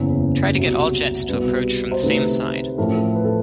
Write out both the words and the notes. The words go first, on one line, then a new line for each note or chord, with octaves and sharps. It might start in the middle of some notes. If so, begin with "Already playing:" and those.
Try to get all jets to approach from the same side.
Already playing: F#1 E2 C#3 E3
C2 B2 F#3
C2 B2 G3 B4
C5
D2 C3 D#3 B4
B4
A1 A2 F3 A#4
A4
B4
A4